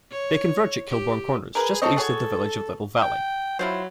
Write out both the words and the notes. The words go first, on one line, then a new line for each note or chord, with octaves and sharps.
They converge at Killborn Corners just east of the village of Little Valley.
C#5
G4
G#4 A#4 B4
C4 A4 C#5 D#5
F#4 G#4 A4 C#5
G5
F#3 E4 F4 C5